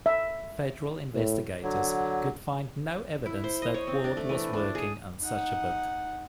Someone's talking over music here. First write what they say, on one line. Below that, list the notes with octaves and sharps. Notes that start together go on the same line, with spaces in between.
Federal investigators could find no evidence that Ward was working on such a book.
E5
A2
D3 F#3
E4
C5
D#5
C#5
C4
D4
A3
E3
D4
G#4
D#4 F#5